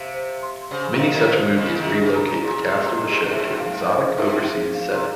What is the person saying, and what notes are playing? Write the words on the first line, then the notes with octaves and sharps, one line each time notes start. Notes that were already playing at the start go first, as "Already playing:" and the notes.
Many such movies relocate the cast of the show to an exotic overseas setting.
Already playing: C3 F5
C5
C6
C#3 C5
C3 D#3
F5
D#3 G3
C5
C#3 F3 D#5
C3 D#3
G#4
C#3
A#5
C#3
A#2 G#4
C3
D#5
A#2
C3
G#4
A#2
G2
G#2 G#4
F5
C5
G#2 D#4
G#4
F5
C3